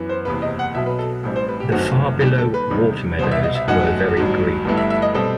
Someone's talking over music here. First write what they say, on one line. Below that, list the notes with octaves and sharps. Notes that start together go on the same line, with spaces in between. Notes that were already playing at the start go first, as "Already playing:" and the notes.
The far-below water-meadows were very green.
Already playing: F#2 E3 B3 E4
C5
F#1 E2 C3 B4
D#5
F#5
B1 B2 F#3 E5
B4
A4
A1 A2 G3 C4 E4
C5
B4
G4
G1 F#2 D#3 A3 C4 F#4
D#2 D#3 G3 G4
A4
B4
E2 C3 D#3 G3
C2 B2 G3 C5
E5
D#5
E5
G1 F#2 F#3 A3 D#4 F#5
A1 G2 D#3 F#3
G1 G2 E3 A3 E4
E5
E5
D#5
B2 G3 C4 A4